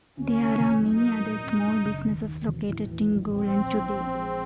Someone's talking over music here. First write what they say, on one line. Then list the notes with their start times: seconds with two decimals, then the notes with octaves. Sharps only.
There are many other small businesses located in Gulen today.
0.17 D2 C#4
0.38 C3
0.60 E1
0.80 F#3 D#4
1.01 A#3
1.22 A#2
1.44 F#2
1.64 D3
1.84 F#1
2.06 D#2
2.27 D#3
2.48 E1
2.68 A2
2.90 E3
3.10 A#1
3.31 A#2 C4
3.52 F3
3.74 A#1
3.95 F3
4.14 G#3